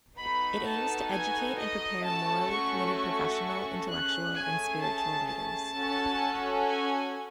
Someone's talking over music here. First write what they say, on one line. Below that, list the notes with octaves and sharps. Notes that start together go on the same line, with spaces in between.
It aims to educate and prepare morally committed professional, intellectual, and spiritual leaders.
B3 D#4 F#4 A4 B5
A5
G#5
D#5
A3 C#4 F#4 A4 A5
C#6
C#6
A3 C#4 G#4 F#6
G#5
A5
A5
C#4 F#4 A4
G#5